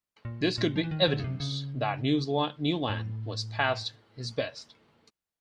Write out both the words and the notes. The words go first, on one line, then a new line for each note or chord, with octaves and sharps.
This could be evidence that Newland was past his best.
A#2
A#2
F3
E3
D#3
D3
C#3
C3
C#3
A2